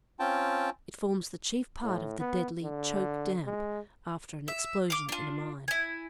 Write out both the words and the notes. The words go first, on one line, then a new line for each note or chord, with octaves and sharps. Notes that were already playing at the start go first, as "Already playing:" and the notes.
It forms the chief part of the deadly 'choke damp' after an explosion in a mine.
C4 C#4 F4 G5 A5
A2
B3
D3
G#3
E5
F5 D6
D4 F4
E4 G#5